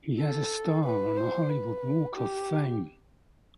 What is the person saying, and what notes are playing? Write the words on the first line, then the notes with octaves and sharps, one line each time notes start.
He has a star on the Hollywood Walk of Fame.
A4
B4
C5
B4
G4